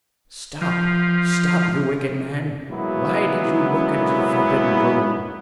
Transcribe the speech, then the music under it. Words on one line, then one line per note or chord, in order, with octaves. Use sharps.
"Stop! stop, you wicked man, why did you look into the forbidden room?"
F3
F#3 G#3 A#3 B3 E4